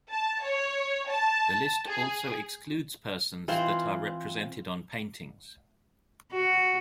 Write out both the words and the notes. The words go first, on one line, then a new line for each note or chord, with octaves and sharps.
The list also excludes persons that are represented on paintings.
A5
C#5
A5
G#4
E3 C4 F4 C5
F#4